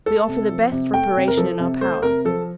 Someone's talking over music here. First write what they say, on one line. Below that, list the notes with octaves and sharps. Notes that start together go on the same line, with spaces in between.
We offer the best reparation in our power.
A3 A4
C3
F3
C3
A3 G5
C3
A#4
F3 A4
C3
A3 C5
C3 A#4
F3 A4